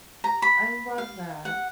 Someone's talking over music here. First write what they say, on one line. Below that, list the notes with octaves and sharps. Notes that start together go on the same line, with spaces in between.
I love that.
A#5
B5
F5
F#5